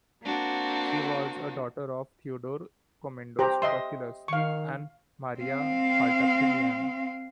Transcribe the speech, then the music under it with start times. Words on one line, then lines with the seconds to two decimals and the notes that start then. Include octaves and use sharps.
She was a daughter of Theodore Komnenos Doukas and Maria Petraliphaina.
0.22 A#3 C4 D4 F#4
3.39 G4 C5 A#5
3.62 D#5 E5 C6
4.28 D#3 F5 C#6
5.40 C4 F5